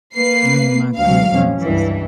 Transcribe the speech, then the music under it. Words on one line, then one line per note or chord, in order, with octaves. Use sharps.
Oh my goodness.
A#3 B4 C7
D2 G#2 F#3 F5
F2 C#4
C#2 G2 E3